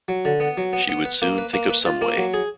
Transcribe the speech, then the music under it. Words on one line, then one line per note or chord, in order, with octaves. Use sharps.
She would soon think of some way.
F#3
D3
B3
F#3
B3
B3
B4
A#3
B4
A#3
B4
F4
A#3
F#3
G#4